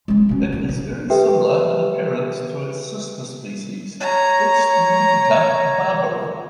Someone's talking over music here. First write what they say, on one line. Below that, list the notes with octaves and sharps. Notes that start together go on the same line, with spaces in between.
It is very similar in appearance to its sister species Ichneutica barbara.
G#3 A#3
B2 C#4
A#3
E3
G4 A4 B4 E5 G5
C#5 A#5